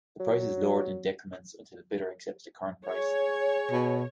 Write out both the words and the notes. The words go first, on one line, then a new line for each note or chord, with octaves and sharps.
The price is lowered in decrements until a bidder accepts the current price.
F#3
G#4 C#5
B2